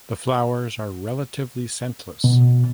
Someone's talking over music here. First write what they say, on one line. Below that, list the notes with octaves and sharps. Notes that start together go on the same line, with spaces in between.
The flowers are relatively scentless.
B2